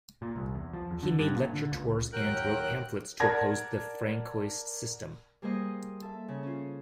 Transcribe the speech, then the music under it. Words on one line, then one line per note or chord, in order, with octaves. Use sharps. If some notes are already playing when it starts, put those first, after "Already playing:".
He made lecture tours and wrote pamphlets to oppose the Francoist system.
A#2
C2
E2
F3
E2
D3
G2
A#2
D3
C#2
D#2 F#3 A#4 G5 F#6
A#4 D5 F#5 A5 G#6 A#6
G3 A#3 G#4 C5 D#5
A4 E5
C#3
C#4 F4